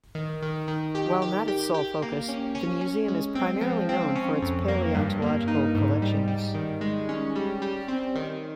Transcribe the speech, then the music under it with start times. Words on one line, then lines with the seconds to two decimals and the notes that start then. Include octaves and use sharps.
While not its sole focus, the museum is primarily known for its paleontological collections.
0.15 D#3
0.42 D#3
0.68 D#3
0.95 G4
1.22 G4
1.48 G4
1.74 G4
2.02 A#3
2.29 C#4
2.55 C#4
2.81 C#4
3.08 G#3
3.35 C4
3.61 F3
3.89 C4
4.16 C#4
4.42 F2
4.68 A#3
4.95 G2
5.22 A#3
5.48 D#4
5.75 G#2
6.02 G3
6.28 G3
6.54 D#3
6.81 G#3
7.09 C#4
7.36 G3
7.62 G3
7.88 C4
8.15 D#3